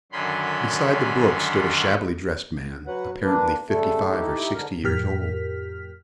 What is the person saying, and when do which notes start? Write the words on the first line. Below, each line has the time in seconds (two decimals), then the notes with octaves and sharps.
Beside the brook stood a shabbily-dressed man, apparently fifty-five or sixty years old.
0.12 F#2 D3 D#3 C#4 B5 C6
2.87 F#3 B4 F#5
3.22 A#3 D4 B4
3.70 C#3 G3 A3 A4
4.07 D#4 E4 G4
4.54 G#2 D3 A#4
4.84 F2 A2 G4 A#4 F6 B6